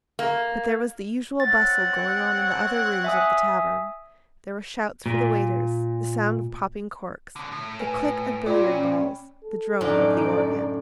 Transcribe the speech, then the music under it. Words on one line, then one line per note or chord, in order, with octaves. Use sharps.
But there was the usual bustle going on in the other rooms of the tavern; there were shouts for the waiters, the sound of popping corks, the click of billiard balls, the drone of the organ.
A#3
C4 C#5 F#5 A6
E5 G#5 D#6
A#2
B2 D3
A2
B4 G#5
A#2 F4 D5 G5 B5
C#4
A4
F#2 A2 D3 D#4 D5